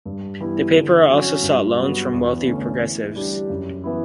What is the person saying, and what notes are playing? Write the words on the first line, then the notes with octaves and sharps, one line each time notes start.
The paper also sought loans from wealthy progressives.
G2
E3 G3 B3 E4
D3
F#3 C#4 F#4
G2
F#3 B3 F#4
E2
D3 A3 C#4
E3
G3 D4 G4
F#2
E3 B3 E4